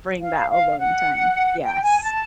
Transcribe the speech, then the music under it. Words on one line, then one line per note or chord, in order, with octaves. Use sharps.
bring that alone time. Yes.
F5
F5
F#5
G5
G#5
A5